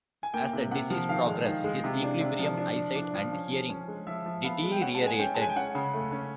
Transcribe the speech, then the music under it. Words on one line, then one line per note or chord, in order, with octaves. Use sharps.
As the disease progressed, his equilibrium, eyesight, and hearing deteriorated.
G#5
A#3 G5
C3
C3 F#5
F3
D#3 F5
G#3
D#3
G#3
C3
D4
C3
F3
D4
F3
D4
F3
C#4
F3
C#4
G#3
F3 E5
F3
B3 F5
G#3
G5
C#4 F#5
A5
G#3
G#5
C#4 G5
A5
G#3 G#5
G5
C#4 F#5
C#3
A3
C#4